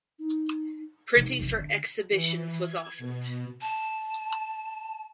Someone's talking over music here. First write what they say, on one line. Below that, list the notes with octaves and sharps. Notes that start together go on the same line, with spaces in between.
Printing for exhibitions was offered.
D#4
C3 D#4
D#1 A#1
D3
E3
G#6
B2
A5